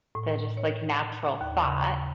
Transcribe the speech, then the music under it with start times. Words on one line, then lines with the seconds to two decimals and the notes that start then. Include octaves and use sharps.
the just, like, natural thought,
0.15 A2
0.57 C#5
1.41 D#2
1.63 C#3
1.81 G5